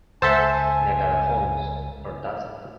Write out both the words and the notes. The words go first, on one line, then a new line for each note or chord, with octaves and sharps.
Niagara Falls, or Does It?
C#2 A4 C5 E5 F#5 G#5 A5